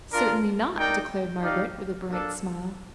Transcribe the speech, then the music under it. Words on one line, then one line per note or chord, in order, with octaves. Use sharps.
"Certainly not," declared Margaret, with a bright smile.
D4 F4 A#4
D#4 A#4 D5 G5
D#4 G4 D5 F5
A#3 D4 A4